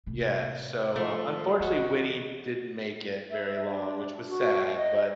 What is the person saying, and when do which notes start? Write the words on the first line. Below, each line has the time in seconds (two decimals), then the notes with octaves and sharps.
Yeah, so, um, unfortunately, Winnie didn't make it very long, which was sad, but,
0.06 A2 C3
0.96 F3 A3
1.60 D3 E3 F#4 G#4 C#5 D#5
3.31 E5
3.69 D4
4.29 F#4
4.76 D#5